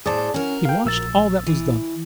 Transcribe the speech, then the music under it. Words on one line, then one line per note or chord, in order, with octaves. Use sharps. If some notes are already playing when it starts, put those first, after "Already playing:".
He watched all that was done.
A2 G#4 C5 D5 A5
C#4 F#4 A#4
F5 G5
A#1 E6 A6
E3